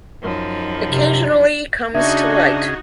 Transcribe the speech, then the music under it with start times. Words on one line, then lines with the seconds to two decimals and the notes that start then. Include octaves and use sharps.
Occasionally comes to light.
0.21 F#2 F3 D#4
0.89 C3
1.95 C#3 D4 D#4 F#4 G#4 D#5 E5